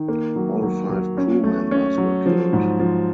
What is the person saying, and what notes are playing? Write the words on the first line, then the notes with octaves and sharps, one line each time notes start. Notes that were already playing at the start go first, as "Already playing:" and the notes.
All five crew members were killed.
Already playing: D#3
A#3
F#3
F#3
F#3
C#4
A3
C#4
F#3
F3
G#2
F3